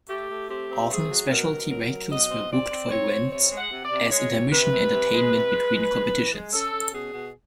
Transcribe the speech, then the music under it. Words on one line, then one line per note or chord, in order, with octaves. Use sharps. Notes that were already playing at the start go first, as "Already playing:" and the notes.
Often, specialty vehicles were booked for events as intermission entertainment between competitions.
A3 G4
A3
C4 G4
C4
A3 G#4
F#3
B2 A#4
B2
F#3 A#4
F#3
B2 D#5
C4
C4 D5
C4
C4 C#5
C4
C3 C#5
G#3
F#5
C3
D5
C3
G#3 C#5
C3
C3 B4
C3
C3
G#3
C3
G#3
G#3
G#3
E3
G#3
C#4 A4
C#4
B2 G#4
B2